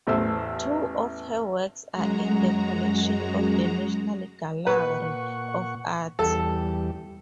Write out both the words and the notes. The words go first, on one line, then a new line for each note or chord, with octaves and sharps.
Two of her works are in the collection of the National Gallery of Art.
A1 E2 A3 C5 E6
F#2 G#3 F#4 A#5
A#2 B4 F#5 C#6
E2 G3 A4